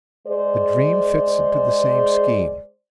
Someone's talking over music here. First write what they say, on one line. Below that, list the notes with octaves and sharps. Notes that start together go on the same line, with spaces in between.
The dream fits into the same scheme.
G#3 G#4 C5 D5